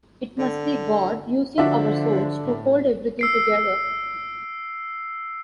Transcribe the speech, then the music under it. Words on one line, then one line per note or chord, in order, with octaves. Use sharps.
It must be God, using our souls, to hold everything together.
D3
D3 F3 D4 F#4 E5
A2
E6 C7 D7